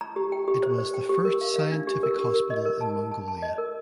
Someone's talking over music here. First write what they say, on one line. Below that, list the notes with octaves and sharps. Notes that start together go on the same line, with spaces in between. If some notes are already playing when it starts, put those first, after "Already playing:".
It was the first scientific hospital in Mongolia.
A#5
G4
G5
G4
C5
C5
G5
G4
A#4
F5
F5
D4
G4
A#4
G4
A#4
D#5
A#4
A5
A5
A5
A5
D#5
A#4